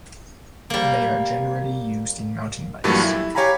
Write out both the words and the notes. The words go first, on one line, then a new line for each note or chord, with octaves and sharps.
They are generally used in mountain bikes.
G3 A#3
G2 A#2 E3 F#3 G3 A3
E4
G4 C#5 F5 G#5 A#5 B5